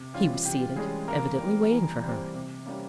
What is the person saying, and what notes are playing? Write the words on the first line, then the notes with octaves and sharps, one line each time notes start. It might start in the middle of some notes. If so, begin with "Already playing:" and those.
He was seated, evidently waiting for her.
Already playing: C3
E3 G3 C#4 F4
C3 G4
E3 G3 G#3 C#4 G#4
E3 A#3 A#4
G3 C4
E3
G3 C4
C3
G3 A#3 C#4